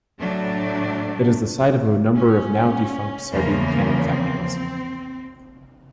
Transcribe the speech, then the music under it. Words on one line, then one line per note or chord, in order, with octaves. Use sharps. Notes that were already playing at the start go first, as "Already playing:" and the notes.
It is the site of a number of now-defunct sardine canning factories.
A2 F#3 A3 D4
C#4
E2 C#3 F3 A#3
C4